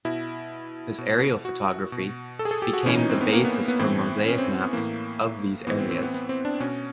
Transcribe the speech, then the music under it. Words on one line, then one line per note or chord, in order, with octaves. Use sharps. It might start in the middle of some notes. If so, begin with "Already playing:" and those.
This aerial photography became the basis for mosaic maps of these areas.
B2 E4
B2
F#4
B2
A4
G#4
A4
G4
F#4
A2 E3 C#4
D#4
C4
B3
A#3
B3
B3
A2 E3 C4
C#4
C4
C4
B3
A2 E3 A#3
A2 E3 B3
C4
C4
B3
B3
C4
D4
B2 C#4